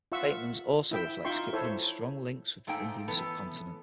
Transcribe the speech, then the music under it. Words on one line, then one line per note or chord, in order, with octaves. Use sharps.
Bateman's also reflects Kipling's strong links with the Indian subcontinent.
F4 E5 F#5 C#6 E6
E4 E5 G5
D#4 F4 E5 G5 C6 C#6
E4 A4 C5 C#5
G#2 A3 A#3 D#4 G5
A2 E3 B3 A4